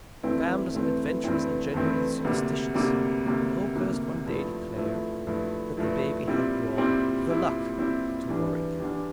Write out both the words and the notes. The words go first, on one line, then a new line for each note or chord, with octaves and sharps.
Gamblers and adventurers are generally superstitious, and Oakhurst one day declared that the baby had brought "the luck" to Roaring Camp.
G2 E3 A3 C4 E4
G2 E3 A3 C4 E4
G2 E3 A3 C4 E4
G2 E3 A3 C4 E4
D2 C3 G3 A#3
D2 C3 G3 A#3
D2 C3 G3 A#3
D2 C3 G3 A#3
G2 F3 A3 E4
G2 F3 A3 E4
G2 F3 A3 E4
G2 F3 A3 E4
A#2 G3 C4 E4
A#2 G3 C4 E4
A#2 G3 C4 E4
A#2 G3 C4 E4
E2 E3 G3 D4
E2 E3 G3 D4